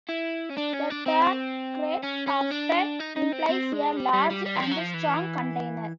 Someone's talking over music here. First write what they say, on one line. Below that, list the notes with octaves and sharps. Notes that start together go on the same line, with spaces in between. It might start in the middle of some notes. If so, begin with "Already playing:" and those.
The term 'crate' often implies a large and strong container.
E4
C#4
D4
C#4
D4
C4
C#4
C#4
D4
D#4
D#4
C4
C4
G#3
G3
G3
G3
G3
E3
F3
F#3
F3
E3